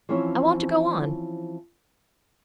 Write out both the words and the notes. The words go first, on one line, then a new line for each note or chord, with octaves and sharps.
"I want to go on."
E3 F3 C4 C#4 E4 C#5